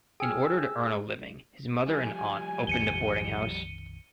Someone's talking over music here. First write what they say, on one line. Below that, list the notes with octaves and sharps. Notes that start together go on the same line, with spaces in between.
In order to earn a living, his mother and aunt opened a boarding house.
G#4 G5 G#5 E6 F6 G#6
F3 G3 G#5
A#1 F2 D#3 C#7 D#7 G7